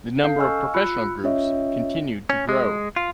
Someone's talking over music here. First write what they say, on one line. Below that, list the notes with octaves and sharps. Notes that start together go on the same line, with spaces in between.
The number of professional groups continued to grow.
C#4 A4 F5 G6 C7
D#5 F5 G#5 C#6 E6 F6
F4 B5 E6 F#6 C#7
C#4 F4 C#5 D#5 E5
C#4
G#3
F4